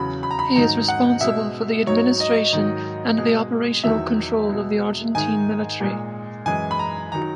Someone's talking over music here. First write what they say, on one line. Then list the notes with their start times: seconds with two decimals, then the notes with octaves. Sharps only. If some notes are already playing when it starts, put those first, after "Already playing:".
He is responsible for the administration and the operational control of the Argentine military.
Already playing: E2 C#3 F#3 B5
0.23 B5
0.31 A#5
0.39 B5
0.56 G#2 D#3 F#3 A#5
0.88 F#5
1.21 B2 G#3 E5
1.87 G#2 F#3 C#5
2.20 D#5
2.53 G#2 D#3 F#3
3.18 B2 G#3
3.84 E2 D#3 F#3 E5
4.49 B2 G#3
5.15 G#2 D#3 G#3 G#5
5.80 A#2 G#3
6.46 F#2 E3 G#3 G#5
6.71 B5
6.79 A#5
7.12 D#3 F#3 A#5